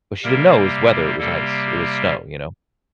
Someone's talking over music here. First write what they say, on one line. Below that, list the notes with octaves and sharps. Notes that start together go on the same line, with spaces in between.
but she didn't know it was weather, it was ice, it was snow, you know?
C3 G3 A#3 A#4
C3 G3 A#3 A4